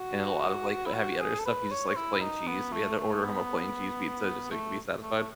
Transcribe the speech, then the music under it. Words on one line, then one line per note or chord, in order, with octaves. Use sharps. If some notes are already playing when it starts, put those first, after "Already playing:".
and a lot of like heavy other stuff, he just likes plain cheese, so we had to order him a plain cheese pizza just so he could be satisfied.
Already playing: F#4
E4
F#4
G#4
A4
B4
C#5
E4
D#4
B3
A3
A3
B3
A3
A3